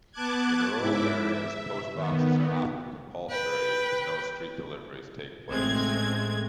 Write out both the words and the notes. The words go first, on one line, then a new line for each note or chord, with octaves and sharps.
In rural areas Post Boxes are often compulsory as no street deliveries take place.
B3 A5 D6 F#6 G#6
G#2 E4 E5 D6
E5
D#3 B3
B4 G5
A1 G#3 A3 C4 G#6